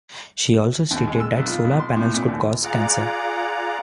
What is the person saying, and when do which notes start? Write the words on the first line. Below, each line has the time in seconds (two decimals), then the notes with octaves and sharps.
She also stated that solar panels could cause cancer.
0.91 D#2
1.07 G#3
1.20 E6
1.36 B1
1.47 F4
1.65 B1
1.80 C6
1.96 A2
2.14 A#2
2.28 D#2
2.63 F4 G#4 D5 F#5 A#5 D6